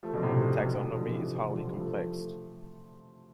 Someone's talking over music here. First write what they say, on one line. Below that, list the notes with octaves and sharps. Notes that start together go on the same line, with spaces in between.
The taxonomy is highly complex.
F3 A3
B2 D3
A2 C3
A2 C3
B2 D3
D3 F3
C3 E3
D3 F3
E3 G3
F3 A3